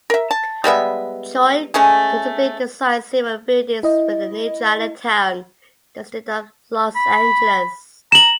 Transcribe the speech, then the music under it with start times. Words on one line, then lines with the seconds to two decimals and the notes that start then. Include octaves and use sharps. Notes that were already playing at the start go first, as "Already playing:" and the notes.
Choy notably designed several buildings within the New Chinatown district of Los Angeles.
0.10 A#4 E5
0.31 A5
0.64 G3 G#3 B3 E5
1.74 G#3 A3 C#4 G#4
3.83 E4 D#5
6.96 B5
8.12 A#5 E7 F#7